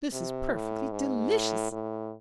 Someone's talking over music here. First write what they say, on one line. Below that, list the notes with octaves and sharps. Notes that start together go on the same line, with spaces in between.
This is perfectly delicious.
C3
A2
G#2
A2
A2